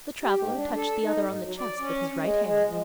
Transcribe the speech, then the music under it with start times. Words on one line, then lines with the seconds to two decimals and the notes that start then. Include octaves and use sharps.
The traveller touched the other on the chest with his right hand.
0.23 G4
0.37 G#2
0.55 D4
0.75 A4
1.03 D#4
1.24 G#2
1.42 F#3
1.58 D5
1.79 C#4
2.20 G#3
2.43 G#3
2.66 F3